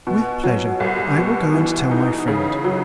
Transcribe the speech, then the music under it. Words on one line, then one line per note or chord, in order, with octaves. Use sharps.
"With pleasure; I will go and tell my friend."
B2
F#3
C2
B2
E3
D#4
C#3
F#3